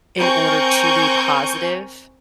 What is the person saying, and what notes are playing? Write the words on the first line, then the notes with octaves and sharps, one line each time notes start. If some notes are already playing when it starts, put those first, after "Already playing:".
in order to be positive,
C4 A#4 G#5 C#6 G6